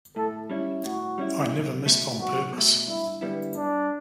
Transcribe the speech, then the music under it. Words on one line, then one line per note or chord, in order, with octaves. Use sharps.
I never missed on purpose.
A2 A4
G3 C#4 E4
A2 F#4
G3 C#4 E4
B1
B2 A3
B1 F#4
B2 A3
G2 E4
D3 G3 B3 E4
G2 D4